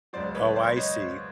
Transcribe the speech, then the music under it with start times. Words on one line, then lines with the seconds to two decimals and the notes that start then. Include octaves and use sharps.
Oh, I see.
0.13 C#2 B2 F#3 C5 D5
0.35 B4 C#5
0.56 C5 D5
0.76 C#5 D#5